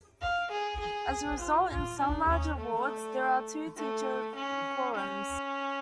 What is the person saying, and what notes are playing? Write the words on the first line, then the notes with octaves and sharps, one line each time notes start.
As a result, in some larger wards there are two teacher quorums.
F5
G#4
G#4
F4
F4
D4
C#4
A3
A3
C#4
C#4